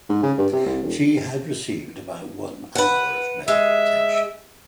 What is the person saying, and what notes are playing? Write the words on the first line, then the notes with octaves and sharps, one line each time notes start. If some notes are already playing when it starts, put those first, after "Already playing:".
She had received about one hour of medical attention.
G#2
C#3
G2
C3
C2
E1
B4 F#5
G#3 E5